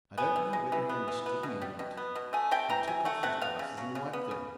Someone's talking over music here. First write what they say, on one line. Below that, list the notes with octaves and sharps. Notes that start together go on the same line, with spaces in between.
I don't know whether he understood me or not: he took of his glasses and wiped them.
B3 G#5
E3
G#3
E3
B3
E3
B3
B2
G3
B2
B3
B2
A3 G#5
C3 G5
E3 A#5
C3 G#5
A3 F#5
C3 F#5
B3 F5
C#3
F#3
C#3
B3
C#3